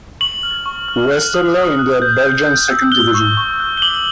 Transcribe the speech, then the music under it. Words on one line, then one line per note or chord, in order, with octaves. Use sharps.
Westerlo in the Belgian second division.
C#6 F#7
F6
C#6
F6
F#6
D#6
D#6
F#6
G6
G6
G6
E6
F#6 G7
C#6
C#6
F#6
G7
D6 F#7